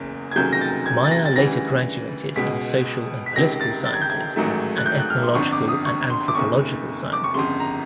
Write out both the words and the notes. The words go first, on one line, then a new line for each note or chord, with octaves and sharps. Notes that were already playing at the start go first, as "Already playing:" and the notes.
Maia later graduated in Social and Political Sciences and Ethnological and Anthropological Sciences.
Already playing: F#1 E2 C#3
G#6
F1 D#2 C#3 F#3 G6
A#6
A6
G#6
A6
A#6
A6
D2 C#3 E3 G3 A#6
C#2 B2 G#3 B6
B6
C#2 C3 D#3 A#6
A6
A6
G#6
G6
G#6
A1 G#2 D#3 F#3 A3
F#6
G6
F#6
F6
C6
G1 F2 D3 C#6
D6
D#6
C#6
C6
D6
F1 D#2 C#3 C#6
D6
C#6
G1 F2 C#3 C6
A#5